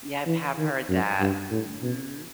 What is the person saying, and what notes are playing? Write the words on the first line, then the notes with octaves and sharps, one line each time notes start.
Yeah, I've have heard that. Mhm.
E3
D#3
F#2
G2
A2
B2